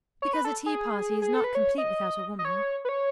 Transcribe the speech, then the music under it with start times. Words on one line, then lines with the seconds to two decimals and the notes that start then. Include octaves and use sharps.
"Because a tea-party is not complete without a woman."
0.22 C#5
0.33 B4
0.45 A4
0.66 G#4
1.22 G#4
1.34 A4
1.44 B4
1.55 C#5
1.78 D#5
2.39 D#5
2.45 C#5
2.85 B4
2.89 C#5